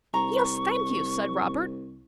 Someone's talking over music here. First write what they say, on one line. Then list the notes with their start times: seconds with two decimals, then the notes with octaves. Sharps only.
'Yes, thank you,' said Robert.
0.14 C2 A#5 C#6